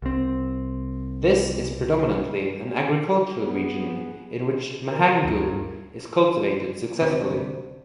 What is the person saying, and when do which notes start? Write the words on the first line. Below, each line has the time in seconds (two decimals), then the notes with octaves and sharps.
This is predominantly an agricultural region in which mahangu is cultivated successfully.
0.02 C2 C4
3.40 B3 G#4
4.85 A#4
5.25 D2 G2
7.02 D2 G2 C3